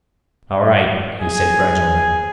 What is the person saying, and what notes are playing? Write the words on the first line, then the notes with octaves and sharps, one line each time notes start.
"All right," he said grudgingly.
G#4